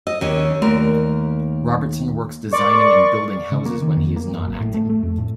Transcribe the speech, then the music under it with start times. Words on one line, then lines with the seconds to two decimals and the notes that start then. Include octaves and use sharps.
Robertson works designing and building houses when he is not acting.
0.07 D#5 E6
0.21 D#2 C#4
0.62 D#2 A3 A#4
2.53 A#4 D5 C6 C#6
3.52 C#3
3.66 A#3
3.82 D#3
3.97 F2
4.16 A#3
4.31 F#2
4.48 G#1
4.60 A2
4.74 A3
4.90 A3
5.03 F2
5.18 A2